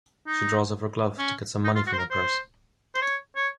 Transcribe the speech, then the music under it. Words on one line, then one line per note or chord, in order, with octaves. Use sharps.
She draws off her glove to get some money from her purse.
D#4
C#4
D#4
F4
F#4
C5
A#4
C5
C5
C#5
C#5